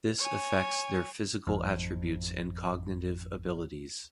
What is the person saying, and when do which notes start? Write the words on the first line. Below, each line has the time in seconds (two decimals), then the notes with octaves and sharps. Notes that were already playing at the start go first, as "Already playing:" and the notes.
This affects their physical attributes and cognitive abilities.
0.19 C#5 G#5
1.47 G#1 F2